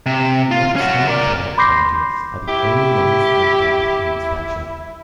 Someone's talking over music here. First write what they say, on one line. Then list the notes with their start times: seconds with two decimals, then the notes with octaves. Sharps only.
Knox and Clark counties are the only ones laid out in this fashion.
0.06 C3
0.51 F4
0.76 C#4 F#4
1.08 A#4 D5
1.58 B5 C6 D6 G6 A#6 C7
2.48 E4 G4